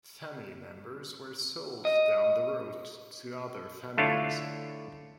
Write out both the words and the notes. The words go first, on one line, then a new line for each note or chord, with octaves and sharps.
Family members were sold down the road to other families.
D#5
D3 A3 D4 E4 F4 C#5